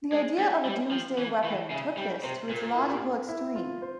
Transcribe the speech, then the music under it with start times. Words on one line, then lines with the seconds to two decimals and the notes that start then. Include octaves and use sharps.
The idea of a Doomsday weapon took this to its logical extreme.
0.12 G#3 C5
0.38 G3 C#5
0.65 G3 C#5
0.91 F3 G5
1.11 F5
1.18 E3
1.31 F5
1.44 E3
1.51 G5
1.70 C#3 E5
1.97 G3 C#5
2.24 C3 C5
2.50 A#2 A#4
2.75 E4
2.82 F4
2.90 G4
3.29 E4
3.56 F4
3.82 C5